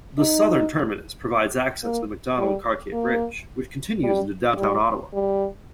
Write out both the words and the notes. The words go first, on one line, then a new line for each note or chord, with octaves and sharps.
The southern terminus provides access to the Macdonald-Cartier Bridge, which continues into downtown Ottawa.
D#4
A#3
G3
A#3
G3
G3
G3